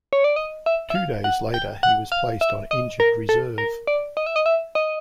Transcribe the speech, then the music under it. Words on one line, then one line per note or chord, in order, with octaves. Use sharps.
Two days later, he was placed on injured reserve.
C#5
D5
D#5
E5
E5
F5
F#5
G5
F#5
F5
E5
D#5
A#4
A4
A#4
D5
D#5
E5
D#5
E5
D#5